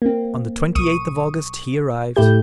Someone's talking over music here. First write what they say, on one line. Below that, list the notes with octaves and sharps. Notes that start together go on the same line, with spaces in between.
On the twenty-eighth of August he arrived.
A#3 C4
B1 C#6 D#6 D#7
A2 A3 E4 G4 G6